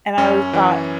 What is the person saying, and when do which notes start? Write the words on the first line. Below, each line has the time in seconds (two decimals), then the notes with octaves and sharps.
and I w thought
0.18 F#2 C#4
0.53 E3